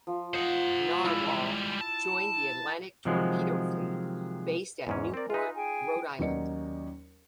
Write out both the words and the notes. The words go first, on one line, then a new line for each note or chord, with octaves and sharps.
"Narwhal" joined the Atlantic Torpedo Fleet, based at Newport, Rhode Island.
F3
C5 D#5 F#5
G3 G#3 E4
A5
C3 D#3 F3 F#3 G#3
E2 G#2 C#4
C4 A#4 D5
D#4 F4 B4 E5 G#5
G#4 G5 G#5
D#2 F#3 C#4 D#4 D5 C#7